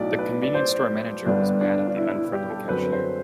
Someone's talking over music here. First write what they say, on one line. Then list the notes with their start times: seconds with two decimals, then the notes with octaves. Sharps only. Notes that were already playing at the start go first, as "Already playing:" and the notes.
The convenience store manager was mad at the unfriendly cashier.
Already playing: B1 A2 F#3 D5
0.19 B4
0.43 D5
0.54 C5
1.25 G1 G2 D3 G3 B3 D4
1.61 D4
1.87 D4
1.97 E4
2.15 E4
2.33 G4
2.50 A4
2.68 F#2 D3 F#3 C4 B4
2.92 C5